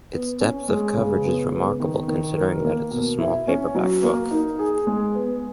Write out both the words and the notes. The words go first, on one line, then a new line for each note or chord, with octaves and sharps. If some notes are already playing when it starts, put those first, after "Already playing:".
Its depth of coverage is remarkable, considering that it is a small paperback book.
B3
C#4
G#3
C#3
B3
B3
D#3
D#3
A#4
A#3
B2
E4
C#4
F#3
A#3
D#4
G#4
G#3
B3